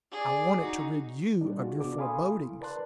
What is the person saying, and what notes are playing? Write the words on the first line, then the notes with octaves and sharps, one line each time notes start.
I wanted to rid you of your forebodings.
G#4 D5
D#4 F#4
A#2 G3 A#3 D4 D#4
F4 F#4 G#4
C3 B3 D4 F#4 D6
A4 F5 G#5 B5 C6 D#6
E4
A#4 B4 D5 A5 C6 F#6